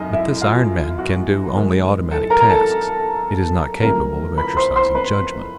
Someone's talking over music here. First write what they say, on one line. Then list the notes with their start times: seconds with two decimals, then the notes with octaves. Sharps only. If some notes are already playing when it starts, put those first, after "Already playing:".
But this iron man can do only automatic tasks; it is not capable of exercising judgment.
Already playing: F#2 C#3 D#4 D#5
0.13 E4 E5
0.42 F4 F5
0.98 F#4 F#5
1.55 F#2 D#3 G#3
2.11 A4 A5
2.30 A#4 A#5
2.40 A#5
2.49 A4 A5
3.81 F2 D3 F#3 A3 C#4 A#4 A#5
4.38 B4 B5
4.57 C5 C6
4.76 C5 C6
4.95 B4 B5